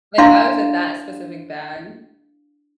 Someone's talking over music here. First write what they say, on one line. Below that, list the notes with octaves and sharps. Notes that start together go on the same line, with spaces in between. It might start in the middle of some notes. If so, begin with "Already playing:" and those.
Like, why was it that specific bag?
D4 E4 D5 F5 C6